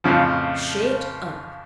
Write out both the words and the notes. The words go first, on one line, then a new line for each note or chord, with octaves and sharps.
"Shet up!"
F2 A2 C#3 F3